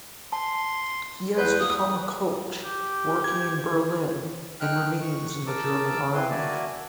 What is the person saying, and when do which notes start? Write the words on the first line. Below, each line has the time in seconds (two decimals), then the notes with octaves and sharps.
He has become a coach, working in Berlin, and remains in the German army.
0.32 A5 C6
1.37 E2 B4 D5 F#5 G6
1.60 A#3 D#6
2.63 G4
3.24 G#6
4.60 D#4 G5 F6 F#6
5.01 C#6
5.47 A#4 A5 D6 E6
6.13 C4 E4 B4 C6
6.30 A#3 F#4 D5 E5 G#5 A5